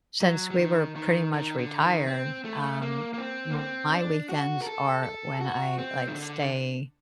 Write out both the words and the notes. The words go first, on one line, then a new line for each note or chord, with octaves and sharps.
since we were pretty much retired, um, my weekends are when I, like, stay
F#3
F#3
D#3
D#3
D#3
D3
D#3
C4
A3
A#3
A#3
C4
A#3
C4
D4
F#4
A#4
A4
A4
F#4
C4
D#3
D3